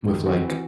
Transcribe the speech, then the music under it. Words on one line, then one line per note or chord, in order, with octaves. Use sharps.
with, like,
D#3
C4 F#4
E3